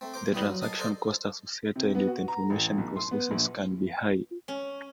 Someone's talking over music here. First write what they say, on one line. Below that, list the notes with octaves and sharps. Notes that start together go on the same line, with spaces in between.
The transaction cost associated with information processes can be high.
A3 C4
A#4 C5 D6
A2 G3 B3 B4 D#6
F#3
G#4 A#4 D#5 F5 A5
A4 A#4 C5 D5 D#5 A5
C3
B3
F#4
A#5
A1
B1
C6
B3
A#1
C#4